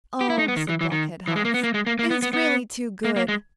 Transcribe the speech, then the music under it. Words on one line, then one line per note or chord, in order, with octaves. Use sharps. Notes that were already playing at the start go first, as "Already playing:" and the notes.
'Oh,' said Blockhead-Hans, 'it is really too good!
G4
E4
D#4
B3
D#3
E3
E3
D#3
E3
G#3
A#3
B3
A#3
G#3
A#3
A#3
B3
B3
B3
A#3
A#3
G#3